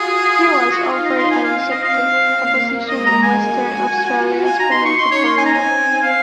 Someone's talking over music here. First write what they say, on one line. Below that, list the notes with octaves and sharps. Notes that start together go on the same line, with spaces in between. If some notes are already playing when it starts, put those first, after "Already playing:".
He was offered and accepted a position in Western Australia's police department.
Already playing: F4 F#4 G#4
F4
F#4
D#4 G#4
F5
D#5
C6
C4 G#5
F5
F5
D#5
C4 F5
A#3
G#3 D#5
A#5
G#5
F#4
F4
D#4 G#5
A#5
C6
C#6
C#4 C6
C#5
C6
G#5
A#5
C4 G#5
F5